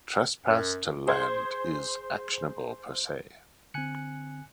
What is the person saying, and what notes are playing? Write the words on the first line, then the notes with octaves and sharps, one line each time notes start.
Trespass to land is "actionable per se".
F#2
G#4 C5 G#6
D3 C4 G#5 F#6 C#7